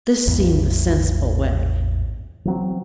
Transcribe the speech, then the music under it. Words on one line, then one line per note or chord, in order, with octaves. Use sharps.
This seemed the sensible way.
A1 E2 G#2
E3 F#3 C4